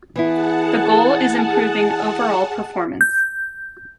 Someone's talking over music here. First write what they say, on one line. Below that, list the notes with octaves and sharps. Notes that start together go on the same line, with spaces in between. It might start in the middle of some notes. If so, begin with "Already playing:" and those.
The goal is improving overall performance.
E3 B3 E4 G#4 F#5 A5
G6